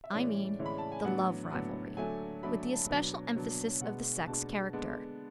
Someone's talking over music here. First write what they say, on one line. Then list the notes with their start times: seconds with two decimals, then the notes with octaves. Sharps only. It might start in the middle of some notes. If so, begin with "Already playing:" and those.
I mean the love rivalry, with the especial emphasis of the sex character.
0.04 E5
0.13 A2 E3 G#3 C#4 D5
0.59 A2 E3 G#3 C#4
0.66 B5
0.78 A5
0.92 G#5
1.05 A2 F#3 B3 D4 F#5
1.51 A2 F#3 B3 D4
1.97 D3 F#3 A3 D4 G#5
2.43 D3 F#3 A3 D4 B5
2.73 A5
2.89 B2 F#3 B3 D4
3.35 B2 F#3 B3 D4
3.80 B2 G#3 B3 D4 F#5
4.27 B2 G#3 B3 D4 A5
4.73 D3 G#3 B3 D4